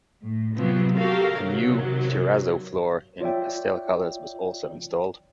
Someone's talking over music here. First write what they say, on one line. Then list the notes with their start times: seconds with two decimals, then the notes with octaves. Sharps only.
A new terrazzo floor in pastel colors was also installed.
0.23 A2
0.56 C3 F3 F#3 B3 C4
0.97 F#4 G4 A4 A#4 F5
1.36 C3 D#3 F#3
3.21 F4 C#5 D5 E5 G5